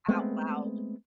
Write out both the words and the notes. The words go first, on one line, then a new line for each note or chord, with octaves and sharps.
out loud
G#3 A3 B3 C4